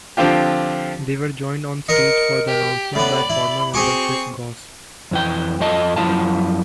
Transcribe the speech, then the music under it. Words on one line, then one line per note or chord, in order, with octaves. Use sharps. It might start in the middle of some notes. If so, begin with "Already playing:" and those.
They were joined on stage for the announcement by former member Chris Goss.
D3 F3 C4 F4 G4
A#4 D#5 A#5 C6 C#7
G4
A2 B3 D5 B5
E4
C4 F#4 G#4 G#5 C#6 D6
F2 E3 G5
F2 F3 A4 D#5 A5
F#2 A#2 F3 E4 F5 A5